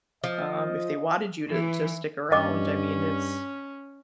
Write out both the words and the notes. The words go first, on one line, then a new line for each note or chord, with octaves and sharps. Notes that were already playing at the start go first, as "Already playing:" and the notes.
um, if they wanted you to to stick around, I mean, it's
F3 D#5
E3
G2 C#4 D#5 D6